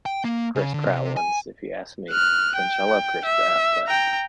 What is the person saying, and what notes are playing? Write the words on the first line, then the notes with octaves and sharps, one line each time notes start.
Chris Pratt ones, if you ask me, which I love Chris Pratt, but
G5
A#3
C#3
D3
C3
G#5
F6 F#6
G5
E5
G5 A#5